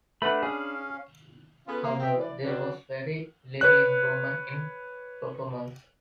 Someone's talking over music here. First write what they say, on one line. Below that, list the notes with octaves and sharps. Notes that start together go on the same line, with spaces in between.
However, there was very little improvement in performance.
A3 D4 B4 F#5 B5
C#4 G#4 F5
B3 C#4 F4 G#4 A4 B4
A#3
C4 G4 C5 D#5 E5
E3 D5
F#3 C4 D4 F#4 B4 D5
B4 C#5 F#6